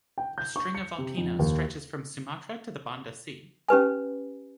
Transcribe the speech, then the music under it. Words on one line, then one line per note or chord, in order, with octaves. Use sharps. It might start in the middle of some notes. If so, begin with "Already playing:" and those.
A string of volcanoes stretches from Sumatra to the Banda Sea.
G5
G6
C#6
C#7
C3
F2
D#2
C#4 G4 B4 G#5